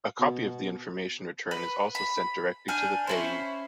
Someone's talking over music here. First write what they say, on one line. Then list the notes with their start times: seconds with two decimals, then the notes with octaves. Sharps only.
A copy of the information return is also sent directly to the payee.
0.19 B2
1.51 B4
1.95 B5
2.68 D4 G#5 F6 G6
3.07 C#4 E4 C5